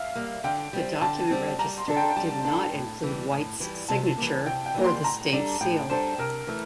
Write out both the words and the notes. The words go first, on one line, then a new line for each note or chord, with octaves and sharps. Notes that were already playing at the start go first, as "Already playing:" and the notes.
The document registered did not include White's signature or the State Seal.
Already playing: E5 F5
G3 A#3
D3 G5
G3 C4
D3 A5
G3 C4
G3 A#5
C6
D4 A4
G5
G5
G3 A5
D4 A4
A2
E3 G3
A2
E3 G3
C3 A5
E3 G3 A#3
C3 G5
G5
E3 G3 A#3
C6
A2 A#5
G3 D4 A4
A2 G5
G3 D4 A4 C5
C3 A#4
E3 A3 E4